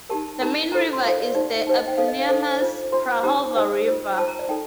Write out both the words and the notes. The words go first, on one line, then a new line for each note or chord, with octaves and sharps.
The main river is the eponymous Prahova River.
D#4 G4 A#4 A5
D#4 G4 A#4 A#5
D4 F4 A4 C5 A#5
C6
D4 F4 A4 C5 F5
D5
D#4 G4 C5 D5
D#4 G4 C5
D#5
G5
D#4 A4 C5 F5
D#5
F5
D#4 A4 C5 D6
D4 F4 C5
D4 F4 C5 C6
D#4 G4 C5 A#5
D#4 G4 C5 G5
F4 C5
F4 C5 A5
A#5
D5
D#4 A4 G5